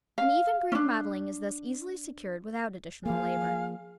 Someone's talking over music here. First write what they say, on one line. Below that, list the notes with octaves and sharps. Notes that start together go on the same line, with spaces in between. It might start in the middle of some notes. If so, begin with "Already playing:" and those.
An even green mottling is thus easily secured without additional labor.
F5
C#4 D4
F3 A#3 G#4 F5 G#5